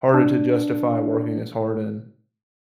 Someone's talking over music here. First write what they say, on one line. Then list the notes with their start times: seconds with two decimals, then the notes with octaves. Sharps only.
harder to justify working as hard in
0.14 D4